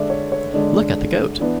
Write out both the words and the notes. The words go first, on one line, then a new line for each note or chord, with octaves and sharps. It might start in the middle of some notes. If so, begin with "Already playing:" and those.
Look at the goat!
Already playing: D3 G#3 D4 D5 E5
C#5
C#5
D3 G#3 D4
E3 B3 D4